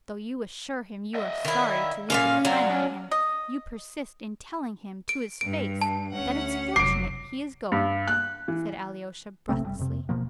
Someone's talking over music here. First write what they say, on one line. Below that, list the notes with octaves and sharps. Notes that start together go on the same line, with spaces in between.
"Though you assure him you are sorry to lose a friend in him, you persist in telling him to his face that it's fortunate he is going," said Alyosha breathlessly.
D#5 E5
D#3 E4
A#2 A#3 C#4 F5
F#3 D5 F5 A#5
C#4 D4
D#5
D7
G2 D7
A5
D2 C#4 F#5
F1 F3 F#3 D6 C7 D7
G2
F#6
E3
A1 C3 A3 C4
F#1 A2 G3
F2 C3
E1 B2 F3 A#3